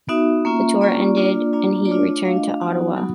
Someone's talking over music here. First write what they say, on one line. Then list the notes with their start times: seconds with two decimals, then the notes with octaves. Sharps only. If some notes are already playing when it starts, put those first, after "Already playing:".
The tour ended and he returned to Ottawa.
0.09 B3 D#4 F#4 E5
0.45 A#3 C#4 F4
0.81 A#3 C#4 F4 D5
1.17 A#3 D4 F4
1.53 A#3 D4 F4
1.85 D5
1.89 A3 D4 F4 C#5
2.25 A3 D4 F4 F5
2.37 D#5
2.49 F5
2.61 F#3 B3 D#4 F#4 F#5
2.96 F#3 B3 D#4 F#4